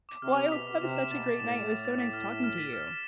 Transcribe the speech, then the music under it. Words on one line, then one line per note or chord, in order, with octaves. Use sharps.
Well, I hope that was such a great night. It was so nice talking to you.
D6
C3 F6
F7
B2 B6
D6
C3 E7
E7
B2 A6
A6
A2 E7
E7
A6
A6
B6
F6
E7
F6
B6
F6
E7